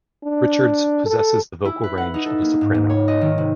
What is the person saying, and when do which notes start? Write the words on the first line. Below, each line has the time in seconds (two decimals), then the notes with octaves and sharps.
Richards possesses the vocal range of a soprano.
0.24 D4
1.06 A4
1.65 E4
1.83 B4
1.98 F#5
2.14 D#4
2.26 A4
2.42 A#3
2.61 G#2
2.74 G#2
2.90 C#5
3.08 D#5
3.21 D#3
3.38 C3